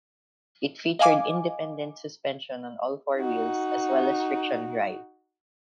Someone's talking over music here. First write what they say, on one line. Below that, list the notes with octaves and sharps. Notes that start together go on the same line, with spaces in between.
It featured independent suspension on all four wheels, as well as friction drive.
D#5 F5 G#5 D6
D#4 F#4